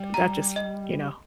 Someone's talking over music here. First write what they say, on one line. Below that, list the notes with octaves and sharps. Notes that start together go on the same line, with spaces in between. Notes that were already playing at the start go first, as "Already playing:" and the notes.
that just, you know,
Already playing: G3
A#5
D#5